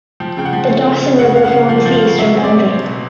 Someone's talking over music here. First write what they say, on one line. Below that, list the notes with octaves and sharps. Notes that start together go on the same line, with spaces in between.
The "Dawson River" forms the eastern boundary.
F3 G5
C#3 G5
F#5
F3
A3
C#3
C#3
C#3 F#5
C#3 F5
F#5
C#3
F3 F5
F3
F5
C#3
F#3 E5
C4
D5
C4
C4
B2